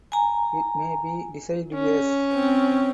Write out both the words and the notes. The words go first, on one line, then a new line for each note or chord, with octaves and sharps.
It may be deciduous.
G#5 A#5
C#4
C4